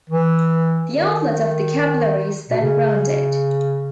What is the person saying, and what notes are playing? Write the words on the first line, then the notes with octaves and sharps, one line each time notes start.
The outlet of the capillary is then grounded.
E3
D#3
B2
C#3